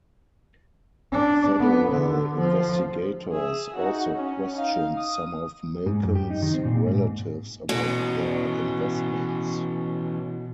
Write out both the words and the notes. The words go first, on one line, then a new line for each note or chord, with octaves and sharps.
Federal investigators also questioned some of Milken's relatives about their investments.
D4
B3
D3
F3
G#4 E5
D#4 F#4
C#4
D#4 F5
D#6
G#2
F#2
G4
D#4
D#3
C4
A#2
G#2
B2 E3 C#4